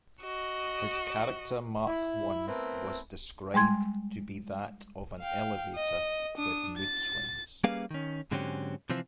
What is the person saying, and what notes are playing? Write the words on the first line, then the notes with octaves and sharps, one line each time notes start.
His character Mark One was described to be that of an elevator with mood-swings.
F#4 D#5
E4
A3 B3 C4 E4 A#4 B4
G3 G#3 C6 G#6
F5 G5
D#5
D4 D#6
A6
G3 A#3 C#4 G#4 B4 F5
D#3 C#4
G#2 D3 F#3 C4 C#4 G4
C3 E3 F3 C4